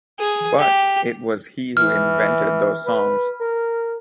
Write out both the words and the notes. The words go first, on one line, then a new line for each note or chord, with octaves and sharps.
But It was he who invented those songs.
G#4
G4
E3 F6
B4
A#4